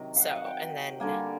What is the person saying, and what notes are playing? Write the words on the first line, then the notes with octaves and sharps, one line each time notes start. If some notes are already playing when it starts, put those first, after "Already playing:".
So and then,
Already playing: C3 D#3 F#3
F5 F#5
F#5
G5
D3 G3 A#3 G#5